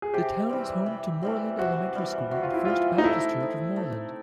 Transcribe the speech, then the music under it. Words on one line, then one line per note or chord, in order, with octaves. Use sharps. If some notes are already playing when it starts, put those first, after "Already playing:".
The town is home to Moreland Elementary School and First Baptist Church of Moreland.
G#4
C3 G4
E3 G3 C4
C3
E3 G3 C4
C3 F#4
E3 G3
C3 F#4
F4
E4
E3 G3 F4
D#4
A3 E4
C4 D#4
A3